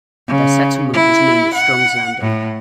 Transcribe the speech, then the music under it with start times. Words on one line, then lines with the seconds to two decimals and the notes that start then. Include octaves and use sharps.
Their settlement was known as Strong's Landing.
0.28 C#3
0.93 E4
1.55 F#5
2.21 A2